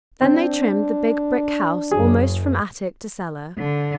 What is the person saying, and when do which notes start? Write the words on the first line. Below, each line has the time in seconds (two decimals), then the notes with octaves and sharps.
Then they trimmed the Big Brick House almost from attic to cellar.
0.22 C4 D4
1.91 F#1 F#2 C#3 G#4
3.58 D3